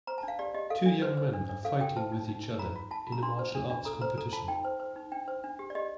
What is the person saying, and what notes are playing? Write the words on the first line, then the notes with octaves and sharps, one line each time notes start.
Two young men are fighting with each other in a martial arts competition.
C5 A#5
A5
D4
F5
G4 D5
G4 D#5
A4 F5
D4
C5
C5
D4
D4
A4 F5
A4 G5
C5 A5
D#4
D#4
D#4
F4 A#5
F4
F4 A5
F4
A#5
D4 C6
C5
D4
D4
A4 A#5
C5 A#5
A4 A#5
F4 A5
D#4 G5
C5
C5
D#4
D4 G5
C5
D4
G4
D5
G4 D#5